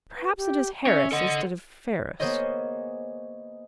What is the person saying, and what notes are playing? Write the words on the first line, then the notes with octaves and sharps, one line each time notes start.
"Perhaps it is Harris instead of Ferris."
B4
G4
C#4 E5
A4 D#5 F#5
A#3 B3 G#4 C5 C#5 D#5